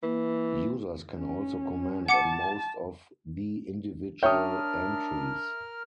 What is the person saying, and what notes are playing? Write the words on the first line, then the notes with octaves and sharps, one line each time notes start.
Users can also comment on most of the individual entries.
E3 A#3
C#4
F#5 A5 D6 C#7
D4 A#4 C#5 E5 G5 D#6 F6